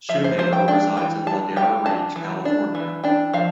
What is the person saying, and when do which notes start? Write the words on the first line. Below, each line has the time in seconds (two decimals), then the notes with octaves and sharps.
Schumaker resides in Ladera Ranch, California.
0.09 F3 E5
0.24 C5
0.38 F3 C5
0.53 G5
0.68 D4 G5
0.97 E3 G5
1.27 D4 A5
1.56 G3 G5
1.86 D4 A5
2.16 E3
2.45 D4
2.75 E3
3.04 D4 G5
3.33 F3 F5